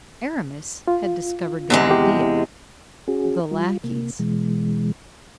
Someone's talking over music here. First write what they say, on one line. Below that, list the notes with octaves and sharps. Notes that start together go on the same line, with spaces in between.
Aramis had discovered the idea, the lackeys.
F4
E2 C3 G#3
G4
C#4 F#4 G#4
G3 F4
C3 A#3
B2 E3 G#3